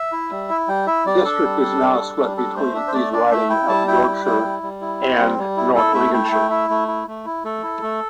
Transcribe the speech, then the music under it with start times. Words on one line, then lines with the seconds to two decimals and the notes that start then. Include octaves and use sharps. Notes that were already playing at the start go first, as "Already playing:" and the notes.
The district is now split between the East Riding of Yorkshire and North Lincolnshire.
Already playing: E5
0.12 E4
0.31 G3
0.50 E4
0.68 G3 G5
0.87 E4 E5
1.06 G3 D5
1.24 D4 A4
1.44 G3
1.62 D4
1.81 G3
2.00 D4
2.18 G3
2.37 D4 A4
2.56 A3 C5
2.74 D4 E5
2.88 C5
2.94 A3 D5
3.13 D4 D5
3.31 A3 E5
3.50 E4 G5
3.69 G3 A5
3.87 E4 G5
4.07 G3
4.26 E4
4.44 G3
4.63 G3
4.81 E4
5.00 C4
5.19 G3
5.39 G3
5.57 E4
5.75 E4 A4
5.94 A3 E5
6.14 E4 G5
6.25 A5
6.32 A3 G5
6.50 E4 E5
6.70 A3
6.88 E4
7.08 A3
7.25 E4
7.44 A3 A4
7.63 E4
7.82 A3